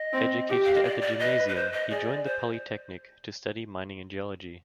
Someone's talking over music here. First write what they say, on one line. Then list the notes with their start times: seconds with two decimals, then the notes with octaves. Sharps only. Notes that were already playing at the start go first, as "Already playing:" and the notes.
Educated at the Gymnasium he joined the Polytechnic to study mining and geology.
Already playing: D#5
0.13 C4
0.48 G4
0.65 F5
0.74 D#5
0.84 D5
1.01 D5
1.19 B4 D#5
1.48 B4
1.55 C5
1.73 D#5
1.90 G#4 D5
2.26 C5